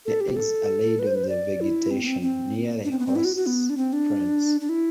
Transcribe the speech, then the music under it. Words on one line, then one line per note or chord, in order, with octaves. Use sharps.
The eggs are laid on the vegetation, near the host plants.
A4
G4
A4
B4
C5
B4
C5
D5
E4
C4
B3
C4
C4
D4
C4
B3
C4
E4
F#4
F#4
B3
D4
C4
D4
D4
E4